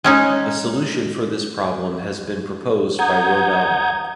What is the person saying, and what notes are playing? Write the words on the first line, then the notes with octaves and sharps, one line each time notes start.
A solution for this problem has been proposed by Roebel.
G#3 C#4 D#4
F#5 A#5 D#6 G6 G#6